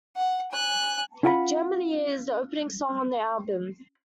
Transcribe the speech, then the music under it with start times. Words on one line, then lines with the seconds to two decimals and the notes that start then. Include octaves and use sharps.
"Jam of the Year" is the opening song on the album.
0.16 F#5
0.52 G#5 F#6
1.23 C#4 E4 F4 F#5 G5 B5